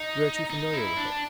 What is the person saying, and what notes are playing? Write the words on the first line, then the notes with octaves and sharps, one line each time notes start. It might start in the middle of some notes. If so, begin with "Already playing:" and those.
We are too familiar with it.
Already playing: D#4
D#4
E4
D4